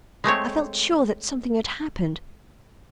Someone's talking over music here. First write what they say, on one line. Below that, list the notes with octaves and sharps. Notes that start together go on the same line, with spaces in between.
I felt sure that something had happened.
G#3 A3 C4 C#5